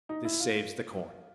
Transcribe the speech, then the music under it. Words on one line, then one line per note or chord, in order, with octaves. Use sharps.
This saves the corn.
D#4
E4
F4